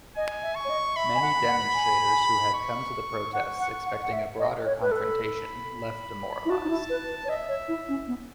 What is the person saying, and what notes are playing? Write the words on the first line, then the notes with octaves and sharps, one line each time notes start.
Many demonstrators who had come to the protests expecting a broader confrontation left demoralised.
D#5 G#5
E5
C#6
C#5
D#5
E5 B5
G#5
F#5
F#5
G#5
C#6
F#5 C#6
F#5
F#5
F#5
E5
D#5
C#5
B4
A4 B5
B5
E4
F#4 A5
D#4
E4
B4
B4
C#5
D#5 E5
C#5
E4
C#4
B3